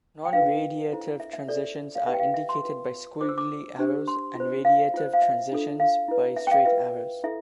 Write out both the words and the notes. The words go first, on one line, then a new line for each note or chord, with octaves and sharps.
Nonradiative transitions are indicated by squiggly arrows and radiative transitions by straight arrows.
G5
D4 F4 B4 F5
E4 A4 C5
E5
E5
F4 A4 C5 D5
F5
E4 G4 B4 E5
G5
F5
E5
C6
F4 B4
D4 F4 C5 D6
E6
D6
D4 G4 C5
C6
F4 C5
F5
F4 C5
F5
E5
D4 F4 A4
F5
E4 B4
E5
G5
F5
F4 B4 E5
E4 A4 E5